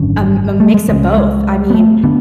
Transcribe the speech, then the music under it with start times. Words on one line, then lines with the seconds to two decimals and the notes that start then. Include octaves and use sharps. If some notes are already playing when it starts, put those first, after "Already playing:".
Um, m mix of both. I mean,
Already playing: G#1 F#2 D3 C#4
0.60 A3
0.74 G#3
0.88 C#2 C#3 G#3
1.18 G#3
1.70 B3
1.74 A3
2.04 D3 B3